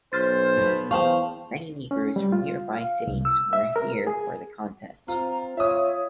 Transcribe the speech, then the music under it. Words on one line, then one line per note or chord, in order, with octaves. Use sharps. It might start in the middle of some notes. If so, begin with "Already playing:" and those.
Many negroes from nearby cities were here for the contest.
B1 C5 C6 F6 A6
B2 B3
E2 C5 F5 G5 A5 C#6
C#4
G3
F4
F5
C2
E6
E5
A#4
G#4
C4 F4 A#5
F4 C#5 E5 D#6